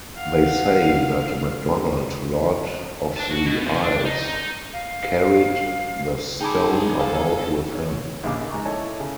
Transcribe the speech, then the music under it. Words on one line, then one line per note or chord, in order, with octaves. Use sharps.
They say that Macdonald, Lord of the Isles, carried this stone about with him.
F5 F#5
D4 A5
F#4
B2
C3 F3
D4
D#4
F5
D#4 G#4 G5 A5 B5 D6
A4 C5 F5
C#5
A#1 D#2 C#3 D6
G#2 A#5 C#6
E4 A4 C#5 D#5 A5
C#3